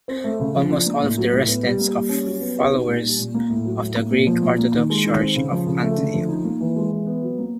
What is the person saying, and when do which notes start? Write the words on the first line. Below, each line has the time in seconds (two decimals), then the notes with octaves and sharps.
Almost all the residents are followers of the Greek Orthodox Church of Antioch.
0.08 C4
0.24 A3
0.40 C#3
0.55 F3
0.71 D4
0.86 A#3
1.01 A2
1.17 F#3
1.33 A2
1.48 B3
1.63 G3
1.79 A#3
1.94 G3
2.09 C#4
2.26 F#3
2.40 B3
2.56 G4
2.71 D#4
2.88 A#2
3.03 G3
3.19 A#2
3.34 A#3
3.50 A2
3.65 F#3
3.81 A2
3.97 A#3
4.11 A#2
4.27 F3
4.42 A#2
4.58 A#3
4.74 D#3
4.90 G#3
5.05 D#3
5.20 C4
5.36 C#3
5.52 F3
5.67 C#3
5.83 A3
5.98 D3
6.14 F3
6.28 D#4
6.45 A#3
6.61 E3
6.76 G#3
6.92 E3
7.06 B3
7.22 F#3
7.38 A#3